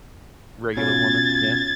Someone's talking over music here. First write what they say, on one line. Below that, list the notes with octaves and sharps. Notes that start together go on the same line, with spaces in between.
Regular woman, yeah.
B2 C#4 F4 G#6 A6